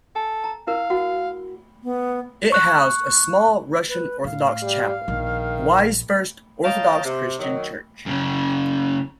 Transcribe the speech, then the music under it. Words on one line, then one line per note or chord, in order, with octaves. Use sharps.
It housed a small Russian Orthodox chapel, Hawaii's first Orthodox Christian church.
A4 G#5
A#5
E4 A#4 F5 E6
F#4 F#5
B3
C#6 F#6
B4
A2 F5
G3
A#1 D#3 D#4
C#5 D#5 F5 G5 A5 A#5
C3
D#3 F#3
F#2 C#3